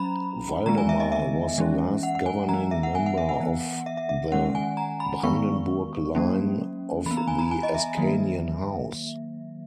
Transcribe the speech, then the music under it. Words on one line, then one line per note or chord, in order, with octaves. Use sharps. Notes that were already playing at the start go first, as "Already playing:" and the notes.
Waldemar was the last governing member of the Brandenburg line of the Ascanian House.
Already playing: F#3 C#4 A#5 B5
D#3 G#3 B3 A#5
G#5
E5
D#5
E5
E3 G#3 C#4
F#5
F#5
G#5
E3 B3 A#5
E5
F#5
G#5
F#5
E5
F#5
E3 B3
E5
E5
E5
D#3 G#3 C#4 F#5
G#5
A#5
B5
D#3 G#3 B3 C#6
F#3 A#3 C#4
E3 B3 B5
A#5
G#5
A#5
G#5
D#5
E5
D#3 F#3 A#3